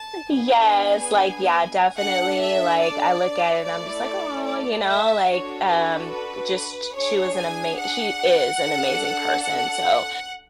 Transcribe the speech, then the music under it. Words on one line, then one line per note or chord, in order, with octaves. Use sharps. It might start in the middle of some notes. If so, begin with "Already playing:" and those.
Yes, like, yeah, definitely, like, I look at it and I'm just like, "Aw," you know, like, um, just she was an ama she is an amazing person, so,
Already playing: A5
B3 D4 G#4 G#5
D4 A4 F#5
E5
D5
A3 E4 A4 D5
D5
E5
D4 F#4 A4 C#5
B4
B4
D4 G#4 C#5
G#5
F#5
D4 A4
F#5